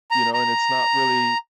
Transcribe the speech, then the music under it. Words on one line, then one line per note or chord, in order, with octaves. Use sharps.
You know, and it's not really
A#5
A#5